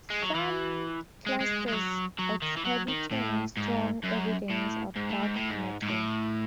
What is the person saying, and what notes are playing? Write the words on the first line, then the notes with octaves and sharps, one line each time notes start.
Some clusters exhibiting strong evidence of dark matter.
G#3
F#3
E3
G#3
G#3
G#3
F#3
F#3
D#3
E3
F#3
D#3
A2
G#2
F#2
A2
G#2
A2
G#2
A2
G#2
G#2
A2